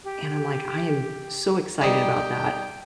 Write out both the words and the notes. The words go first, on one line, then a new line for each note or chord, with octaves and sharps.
and I'm like, "I am so excited about that."
G4
G3 D#4 G5